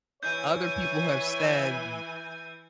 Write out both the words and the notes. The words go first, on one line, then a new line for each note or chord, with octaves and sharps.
Other people have said, "Th
E3 C#5 G#5 G6